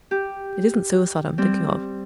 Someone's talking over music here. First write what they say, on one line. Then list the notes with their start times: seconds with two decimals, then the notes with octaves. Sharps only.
It isn't suicide I am thinking of.
0.11 G4
1.38 G3 C4